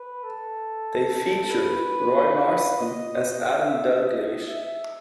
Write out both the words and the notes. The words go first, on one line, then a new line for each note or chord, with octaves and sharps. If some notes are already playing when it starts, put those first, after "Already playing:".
They featured Roy Marsden as Adam Dalgliesh.
Already playing: B4
A4
B4
D#5
D#5
E5
D#5
E5